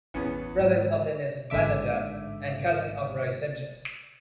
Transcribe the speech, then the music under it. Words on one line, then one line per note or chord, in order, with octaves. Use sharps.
Brother of Dennis Vanendert and cousin of Roy Sentjens.
A1 E2 B3 C#4 C#7
G#2
A1 G#2 D3 E5 D6